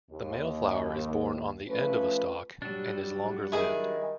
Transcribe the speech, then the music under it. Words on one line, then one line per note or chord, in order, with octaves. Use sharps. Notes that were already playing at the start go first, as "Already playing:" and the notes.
The male flower is borne on the end of a stalk and is longer-lived.
D#2
F3 A3 C#4 B4
F#3 G3 D4
D#3 E4 G#4